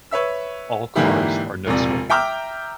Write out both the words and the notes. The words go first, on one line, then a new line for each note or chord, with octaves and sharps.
All cars are no smoking.
B4 C#5 E5 E6
G#2 D3 E3 A#3 E4 G4
E1 A#1 C3 D5
E5 G5 A#5 D6 E6 F6